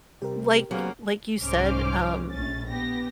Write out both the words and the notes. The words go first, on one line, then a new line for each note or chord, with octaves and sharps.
uh, like like you said, um,
C3 G3 G4 A#4
C#3 F#3 A#3 B3 C5
C2 G#2 C#4 C5 D6 F6
A#1 A2 C#4 A6
B3 G4 A#6